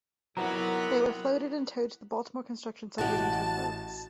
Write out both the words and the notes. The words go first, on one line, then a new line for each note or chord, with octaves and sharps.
They were floated and towed to the Baltimore construction site using tugboats.
G#2 C3 F#3 B3 E4 A#4 A#5 B5
A1 F#4 G4 D#5 A5